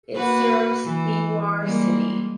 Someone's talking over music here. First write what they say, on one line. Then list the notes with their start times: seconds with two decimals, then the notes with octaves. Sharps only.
It serves Beawar city.
0.15 A#3 F#4 B4
0.85 E3
1.62 G3 G#3 A#3